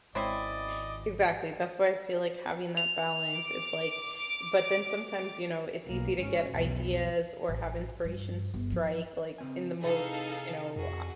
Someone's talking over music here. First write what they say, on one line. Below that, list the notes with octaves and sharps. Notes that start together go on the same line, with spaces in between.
yeah. Exactly, that's why I feel like having that balance, it's, like but then sometimes, you know, it's easy to get ideas or have inspiration strike, like, in the most, you know,
G#1 G#3 C4 C#4 E4 D5 D#5
F7
D6
B1 A#3
G#1 C#4
B1 E2
A1
G2
G1
F3
C#3 C4 G#5
C3 D#4 E4 G#4 A4 F5
F2 F#4 G#4